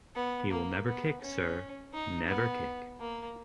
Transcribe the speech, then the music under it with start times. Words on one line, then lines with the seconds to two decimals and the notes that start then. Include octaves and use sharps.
He will never kick, sir, never kick.
0.15 B3
0.51 A#3
0.87 B3
1.22 C#4
1.94 D#4
2.28 B3
3.00 A#3